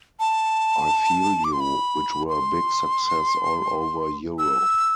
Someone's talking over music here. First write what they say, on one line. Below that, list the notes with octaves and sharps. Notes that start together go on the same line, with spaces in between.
I Feel You, which were a big success all over Europe.
A5
D6
C6
B5
C6
E6